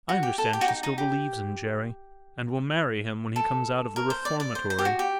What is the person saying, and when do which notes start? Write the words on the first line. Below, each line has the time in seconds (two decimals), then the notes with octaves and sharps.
I understand she still believes in Jerry and will marry him when he comes out of the reformatory.
0.09 F#4
0.23 G4
0.38 A4
0.53 G4
0.61 F#4
0.68 D#4
0.83 D#4
0.98 G4
3.36 A4
3.96 A#4
4.10 C5
4.25 D5
4.40 D5
4.55 C5
4.70 C5
4.79 G4
4.85 F#4
4.99 G4